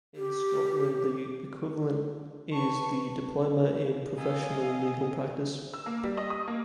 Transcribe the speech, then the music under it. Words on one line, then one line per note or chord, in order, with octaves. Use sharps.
In Scotland, the equivalent is the Diploma in Professional Legal Practice.
G4
B4 A5 C#6
C3 D#5 F5 G#5 E6
E6
A#3
G3
D#5
D#6
A#3